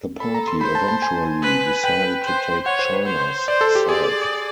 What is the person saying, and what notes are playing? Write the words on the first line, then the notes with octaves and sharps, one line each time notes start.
The party eventually decided to take China's side.
A4 B5
A#5
C6
C5 B5
A5
A5
G#5
B4
B4 G5
C5
C#5 F#5
C5
B4
C5
C5 D5
A4
G4
G#4 D5